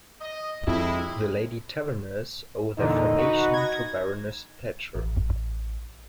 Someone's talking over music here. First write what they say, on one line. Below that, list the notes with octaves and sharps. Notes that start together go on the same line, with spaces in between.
The Lady Taverners owe their formation to Baroness Thatcher.
D#5
F2 G#3 E4
E2 A#2 D3 D#4
F#4 B4
G#6 A#6
A1